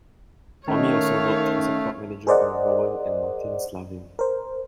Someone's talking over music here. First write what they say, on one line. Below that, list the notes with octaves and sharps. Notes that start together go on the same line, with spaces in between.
Tommy also worked as a prop manager on "Rowan and Martin's Laugh-In".
D#3 A3 C#4 C#5 F5
G#4 A#4 C5 D5 D#5 F#5
A#4 C5